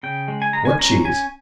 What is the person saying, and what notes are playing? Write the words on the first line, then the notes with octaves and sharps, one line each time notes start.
"What cheese?"
C#3 G5
G#3
G#5
G#3 A#5
G#5
C#4 A#5
C#4 G#5